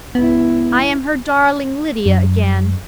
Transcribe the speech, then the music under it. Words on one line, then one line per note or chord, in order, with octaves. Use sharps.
I am her darling Lydia again!
C#2 B3 E4
F#2